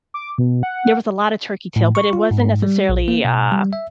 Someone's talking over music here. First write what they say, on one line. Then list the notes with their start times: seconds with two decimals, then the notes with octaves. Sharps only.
there was a lotta turkey tail, but it wasn't necessarily, uh,
0.14 D6
0.38 B2
0.63 F#5
1.76 A2
1.95 C#6
2.13 F4
2.31 G#2
2.62 G3
2.89 A#1
3.08 A#3
3.25 B2
3.52 G3
3.73 E5